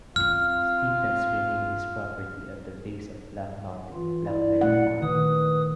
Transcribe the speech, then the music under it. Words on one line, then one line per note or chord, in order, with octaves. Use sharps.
Stephens renamed his property at the base of Black Mountain "Blackberry Farm".
F#2 C4 F4 F6
E3 F4
E4 D5
A#2 A3 F#5
D#3 B4 D#6